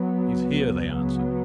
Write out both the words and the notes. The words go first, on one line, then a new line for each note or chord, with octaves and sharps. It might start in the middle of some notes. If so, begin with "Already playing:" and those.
"He's here," they answered.
Already playing: F#3 B3
C#2 C#3
F#3 B3